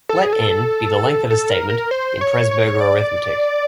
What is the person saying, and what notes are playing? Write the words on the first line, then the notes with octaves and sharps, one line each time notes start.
Let "n" be the length of a statement in Presburger arithmetic.
A4
G#4
A4
A4
A#4
A#4
C5
C#5
C#5
D5